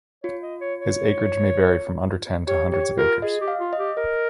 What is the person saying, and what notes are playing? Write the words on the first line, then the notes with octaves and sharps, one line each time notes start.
His acreage may vary from under ten to hundreds of acres.
F4 C#5
D#5
C#5
C#5
G4 C#5
G4 C#5
F4 A#4
G#4 D#5
G4
F5
F4
D#5
G4
A#4 D#5